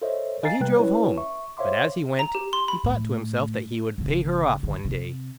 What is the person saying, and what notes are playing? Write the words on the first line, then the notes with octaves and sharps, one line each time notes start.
So he drove home; but as he went, he thought to himself that he would pay her off one day.
A4 A#4 C5 C#5 D#5 E5
D#5 F5 G#5 A#5 A6 C7
C3 G3 B4 G5 F#6
C#4 E4 B4 C#5
E5 C#6
C5 C#5 E5 F5 C6 D6
A#5
G4
C6
B5
A2
G#1 C#3
D3
C3